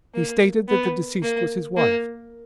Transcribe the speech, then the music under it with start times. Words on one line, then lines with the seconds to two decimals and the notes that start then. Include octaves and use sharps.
He stated that the deceased was his wife.
0.14 A#3
0.69 B3
1.22 A#3
1.77 A#3